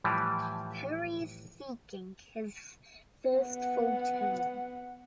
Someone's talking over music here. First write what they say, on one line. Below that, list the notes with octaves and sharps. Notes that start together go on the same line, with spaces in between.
Perry is seeking his first full term.
A2 E3 F3 G3
B3 F#5